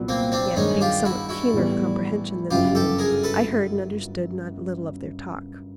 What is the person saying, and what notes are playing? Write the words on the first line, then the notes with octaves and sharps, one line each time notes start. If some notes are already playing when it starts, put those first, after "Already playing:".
Yet, being somewhat keener of comprehension than they knew, I heard and understood not a little of their talk.
Already playing: C2 A#2 F#3 B3
A#3 C4
C4 D4
G2 D#3 G#3 C#4 D#4
F4 G4
E4 F#4
E4 F#4
A2 E3 G3 B3
G1 F#2 C#3 F#3 F4 G4
G4 A4
G#4 A#4
A4 B4